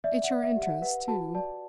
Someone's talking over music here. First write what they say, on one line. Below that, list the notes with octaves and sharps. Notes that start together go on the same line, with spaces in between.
"It's your interest, too."
D5 E5
F#5
D5
E5
G4
F#5
B4 F#5
F#4 A5
D5 A5